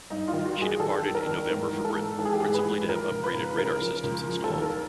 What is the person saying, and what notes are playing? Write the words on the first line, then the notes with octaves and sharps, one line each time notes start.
She departed in November for Britain, principally to have upgraded radar systems installed.
G2 D#4
F4
D#3
F#4
G2
G#4
D#3 A4
G2
A#4
D#3
G#2 A#4
E3
A4
G#2
E3 A4
G#4
G4
G#2 G#4
B4
E3
F3 A#4
C#2
B4
C#2
C#3 A#4
F3
C#2
F3
A4
D#2
A#4